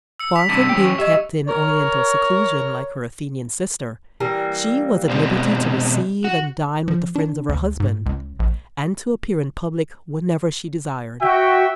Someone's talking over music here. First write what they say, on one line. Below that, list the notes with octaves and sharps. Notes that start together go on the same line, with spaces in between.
Far from being kept in oriental seclusion, like her Athenian sister, she was at liberty to receive and dine with the friends of her husband, and to appear in public whenever she desired.
E6 C#7
B6 F7
G2 C3
C#4 G4
C#6
G2 G4 D#5 E5
A#4 C#5
E3 G3 A#3
B2 G#3 C4
F#4
F3
D4
D2
G#2
C#2
A#1
F#4 E5 G5